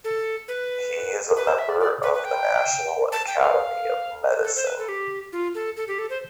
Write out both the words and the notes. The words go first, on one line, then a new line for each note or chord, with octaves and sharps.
He is a member of the National Academy of Medicine.
A4
B4
B4
C5
E5
D5
D5
B4
B4
G5
A5
G5
F5
A4
C5
B4
A4
G4
F4
A4
A4
G4
A4
C5